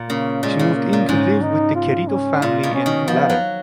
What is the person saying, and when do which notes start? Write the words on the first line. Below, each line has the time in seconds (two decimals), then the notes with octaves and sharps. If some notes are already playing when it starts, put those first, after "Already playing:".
She moved in to live with the Querido family in Laren.
Already playing: A#2
0.09 C#3 A#3
0.43 A#2 G#3
0.59 C#3
0.75 A#3
0.93 A#2
1.09 G#2 C#4
1.42 D#4
1.75 F4
2.08 C#4
2.41 A#2 F4
2.63 B2
2.75 C#4
2.86 D#3
3.07 F3 B3
3.30 F#3